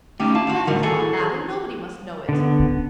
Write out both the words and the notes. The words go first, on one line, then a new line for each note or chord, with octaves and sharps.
I have never thought that, and nobody must know it!
G3 A3 C#4 D#4 G4
E4 F5 A5
G#2 D#3 F#4
A2 D3 D#3 G3 A#4 F#5
E3 E4 F#4 G#4 A4 G#5
G#4
D3 B3
C#3